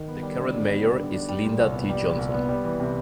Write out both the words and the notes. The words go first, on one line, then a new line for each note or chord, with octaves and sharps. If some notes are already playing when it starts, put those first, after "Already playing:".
The current mayor is Linda T. Johnson.
Already playing: D#3
B3
G3
D3
D4
B3
G3
D3
D4
G3
A#2
C2
B3
G3
A#2
C2
B3
G3
E3
C3